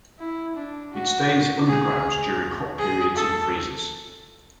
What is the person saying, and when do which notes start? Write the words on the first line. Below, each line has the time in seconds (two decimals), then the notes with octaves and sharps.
It stays underground during hot periods and freezes.
0.19 E4
0.56 D4
0.94 F#4
1.67 G#4
2.79 G#4
3.16 A4